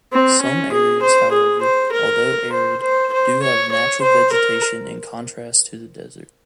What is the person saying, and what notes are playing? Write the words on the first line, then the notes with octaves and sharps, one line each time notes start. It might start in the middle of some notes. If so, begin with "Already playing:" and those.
Some areas, however, although arid, do have natural vegetation in contrast to the desert.
C4
C#4
G#4
C5
G#4
C5
A#4
C5
C5
C5
C#5
C#5
C5
A#4